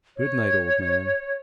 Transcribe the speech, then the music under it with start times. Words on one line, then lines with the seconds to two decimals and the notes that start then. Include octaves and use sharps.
"Good-night, old man."
0.17 C#5